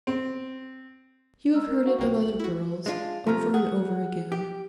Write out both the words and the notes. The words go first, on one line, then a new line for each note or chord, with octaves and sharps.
You have heard it of other girls, over and over again.
C4
G#3 A#5 E6 F6
A#4
F#4 F5
B1 A#3 F4 C5 G5
D2 F#7
E4 F#4
G#3 D4 F4
C3 F3 A3 A#5 F6
G#4 F#5
G4